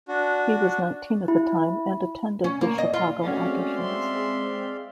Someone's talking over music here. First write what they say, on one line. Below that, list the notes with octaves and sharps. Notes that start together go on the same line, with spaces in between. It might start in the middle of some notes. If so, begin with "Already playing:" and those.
He was nineteen at the time and attended the Chicago auditions.
D4 F#4
E4
C#4
A#3
D#5
F4
G#3 A3 C4 C#4 F#4 D5 F5
E5 C6
G#4